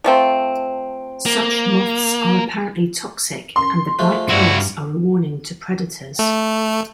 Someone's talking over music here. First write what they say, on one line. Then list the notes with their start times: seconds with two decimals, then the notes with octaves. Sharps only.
Such moths are apparently toxic and the bright colors are a warning to predators.
0.04 F3 A3 C4
1.26 A#3
3.56 C6
3.99 F3 G#3 A3
4.29 G2 G3 E4 F#4
6.19 A3